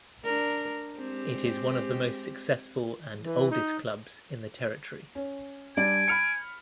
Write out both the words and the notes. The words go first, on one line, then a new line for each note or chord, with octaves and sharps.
It is one of the most successful and oldest clubs in the territory.
D4 A#4
G#3 C4 G4
E3
D#4
C#4
G3 D4 D5 G#5 D7
B5 F6 C#7